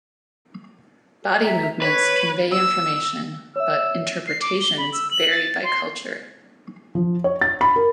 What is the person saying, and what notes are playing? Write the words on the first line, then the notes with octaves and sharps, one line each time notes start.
Body movements convey information, but interpretations vary by culture.
E5 A#5
B4 C#5
E6
C#5 E5 E6
C7
D6
G7
B5
E6
F#7
A6
C6
F3
C#5
A6
B5
A#4